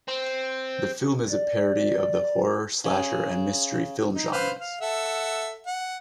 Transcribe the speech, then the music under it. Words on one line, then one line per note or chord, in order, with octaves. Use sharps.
The film is a parody of the horror, slasher, and mystery film genres.
C4
D5
C#3
D#4
B4 C5 F5
F5
A4 E5 F#5
F#5